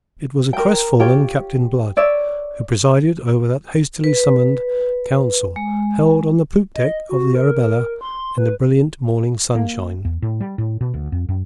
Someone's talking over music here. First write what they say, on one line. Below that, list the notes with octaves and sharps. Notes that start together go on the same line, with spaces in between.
It was a crestfallen Captain Blood who presided over that hastily summoned council held on the poop-deck of the Arabella in the brilliant morning sunshine.
A#4 G5
F4 G4 C#5 G5
C#5 D5 E5
B4
G#3
D#5
F#4
A#4
C6
B4
A#3
E2
A2
G3
A2
B2
D2
F2
F#2